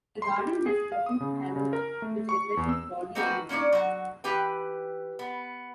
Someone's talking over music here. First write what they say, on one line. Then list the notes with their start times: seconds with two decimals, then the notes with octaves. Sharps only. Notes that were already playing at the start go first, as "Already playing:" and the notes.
The garden has pleasant aroma, which refreshes body and mind.
0.22 C6
0.38 G4
0.66 G#4
0.92 F5
1.06 D#6
1.20 C#3
1.56 C#3
1.73 A#4
2.02 A3
2.29 C#6
2.57 E2
2.69 E6
3.15 A3 A#3 C4 D#4 F#4 B4
3.49 A#3 C#4 D4 C#5 D5
3.72 F#3 F#4
4.24 E3 G4 B4 G5
5.19 B3